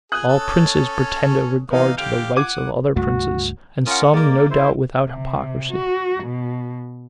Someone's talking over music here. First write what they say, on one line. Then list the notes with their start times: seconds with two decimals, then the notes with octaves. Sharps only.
All princes pretend a regard to the rights of other princes; and some, no doubt, without hypocrisy.
0.12 G#4 D#6 F#6
0.28 C#4 A4 C#5
1.70 E3 B3 D#4 F5
1.97 D3 G4 F5 G6 D7 F7
2.36 F#5 D6 G#6 D#7
2.96 C#2 G2 A3 F#4
3.86 C#4 F4 A#4 F#5 D#6
4.14 G#3 A#3 A#4 D5
4.51 E4 C5
5.03 C3
5.72 F#4
6.24 B2